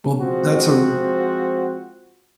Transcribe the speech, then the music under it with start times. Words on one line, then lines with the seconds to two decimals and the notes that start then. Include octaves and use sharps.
Well, that's a r
0.20 F3 G#3 C4 F#4